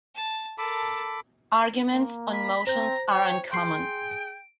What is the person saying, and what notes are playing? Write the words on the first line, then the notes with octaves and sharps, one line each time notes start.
Arguments on motions are uncommon.
A5
A4 A#4 A5 B5 D6
A#3
B5
C4 C5 A#5 G6
C#5 G5
G#4 G5 C6 C7
D7